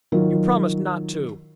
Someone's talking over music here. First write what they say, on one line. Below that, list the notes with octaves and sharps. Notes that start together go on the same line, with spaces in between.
"You promised not to!"
D#3 F#3 F4 A#4